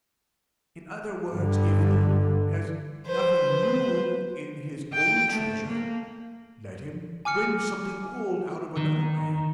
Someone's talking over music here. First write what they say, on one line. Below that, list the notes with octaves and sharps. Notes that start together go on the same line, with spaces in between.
In other words, if he has nothing new in his own treasure, let him bring something old out of another man's.
G2 D3
B4 C5
G5
A3
A#3
G#5 D6 F6 C#7
D#3